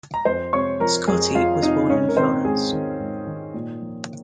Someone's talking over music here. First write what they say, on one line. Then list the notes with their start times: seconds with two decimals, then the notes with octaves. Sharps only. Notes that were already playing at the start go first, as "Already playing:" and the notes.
Scotti was born in Florence.
0.14 A#5
0.25 F2 C5 C6
0.53 C3 C#5 C#6
0.80 F3 A#4 A#5
1.07 F2 G#4 G#5
1.35 F2 F4 F5
1.62 C3 D#4 D#5
1.90 G#2 C#4 C#5
2.09 A#4
2.17 D#3 C4 C5
2.45 G#2 G#4
2.73 D#3
3.00 G#2
3.27 D#3
3.54 A#2
3.81 F3